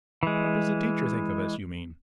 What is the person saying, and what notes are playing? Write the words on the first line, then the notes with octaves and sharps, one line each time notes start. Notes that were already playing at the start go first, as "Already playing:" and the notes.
"What does the teacher think of us, you mean?"
E3 G#3